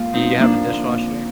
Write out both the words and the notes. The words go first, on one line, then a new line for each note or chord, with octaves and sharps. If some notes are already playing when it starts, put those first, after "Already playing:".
Do you have a dishwasher?
Already playing: G#3 A#3 F4
F3 C4 D#4
F3 A#3 D4
D3